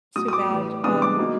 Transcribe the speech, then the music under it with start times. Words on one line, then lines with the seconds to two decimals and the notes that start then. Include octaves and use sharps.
too bad. Um,
0.16 A2 F#3 A3 D#6
0.28 D#6
0.33 D6
0.50 A2 E3 G3
0.84 C3 E3 G#3 B3 D4 D#6
1.02 D6
1.18 F#3 A#3 D#4